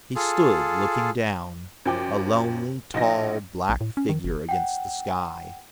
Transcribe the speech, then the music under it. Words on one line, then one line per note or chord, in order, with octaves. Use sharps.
He stood looking down, a lonely, tall, black figure against the sky.
F4 G#4 A4
F#2 F3 G5 D6
A#1 D#4 A#6
A#1
A2
C#4
D#3
F#1
F#5 G5